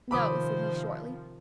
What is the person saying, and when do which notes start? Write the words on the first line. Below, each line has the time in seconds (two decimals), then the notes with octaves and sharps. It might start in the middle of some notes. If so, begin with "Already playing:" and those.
"No," said he shortly.
0.11 C3 D#3 F3 C5 B5 D6 D#6